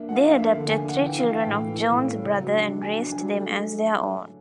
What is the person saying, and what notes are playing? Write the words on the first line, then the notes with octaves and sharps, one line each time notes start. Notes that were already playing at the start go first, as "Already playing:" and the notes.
They adopted three children of John's brother and raised them as their own.
Already playing: A#3 D4 E5
F3 F#5
F5
D4 E5
F5
A#3 E5
D3
D4 G#5
D4 F#5
E3 G5
E3 F5
E3
G5
A2
E3
E3
A2
C#4
C#3
F#3
D4
D4
F#3 G#5
D4
F#3 G#5
A3